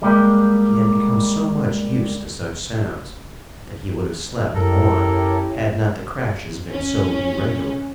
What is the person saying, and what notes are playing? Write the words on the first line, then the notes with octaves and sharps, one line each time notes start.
He had become so much used to such sounds that he would have slept on had not the crashes been so irregular.
G3 G#3 A#3 G4
F#2 C#4 E4 G4 A4 A#4
C#4